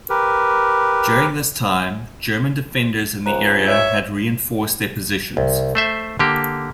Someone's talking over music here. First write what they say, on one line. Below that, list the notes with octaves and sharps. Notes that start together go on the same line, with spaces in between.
During this time, German defenders in the area had reinforced their positions.
G4 A#4 B4
C#2 C5 A#5 F#6
C#5 E5
C2
A3 C5 E5
D3 A#3 G4